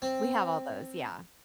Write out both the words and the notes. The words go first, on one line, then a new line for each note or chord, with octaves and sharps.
we have all those, yeah.
C4